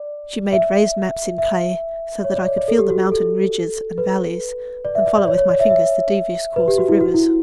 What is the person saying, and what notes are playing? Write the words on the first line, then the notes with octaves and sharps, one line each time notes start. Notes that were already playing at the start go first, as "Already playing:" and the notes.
She made raised maps in clay, so that I could feel the mountain ridges and valleys, and follow with my fingers the devious course of rivers.
Already playing: D5
E5
E5
C#5
D5
C#5
D5
A4
G4
F#4
A4
B4
D5
E5
D5
D5
C#5
C#5
D5
E5
E5
B4
G4
F#4
E4
F#4
E4